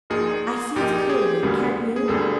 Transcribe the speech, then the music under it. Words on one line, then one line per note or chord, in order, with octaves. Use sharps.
I see it clearly, can't you?
A#1 A#2 F3 A#3 D#4 G#4
A#1 A#2 F3 A#3 D#4 G4
G#4
E1 D2 D3 G3 A#3
G#4
E1 D2 D3 G3 A#3 A4